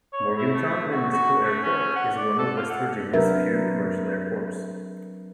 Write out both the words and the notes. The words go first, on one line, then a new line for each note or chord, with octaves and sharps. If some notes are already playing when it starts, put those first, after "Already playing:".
Morgantown Municipal Airport is one of West Virginia's few commercial airports.
C#5
E4
A3
F#4
F#4
A3
C#4
F#5
D5
A4
F4
F#5
F#3 C4 D4 A#4 B4 E5